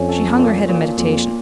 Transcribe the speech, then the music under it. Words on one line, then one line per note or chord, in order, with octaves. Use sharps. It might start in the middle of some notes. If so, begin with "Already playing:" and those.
She hung her head in meditation.
Already playing: F2 C#4
A4
A#2
A#2
F2 A#2